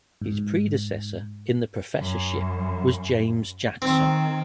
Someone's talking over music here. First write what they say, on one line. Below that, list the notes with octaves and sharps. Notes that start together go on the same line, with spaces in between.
His predecessor in the professorship was James Jackson.
G#2
F#2
D#3 C4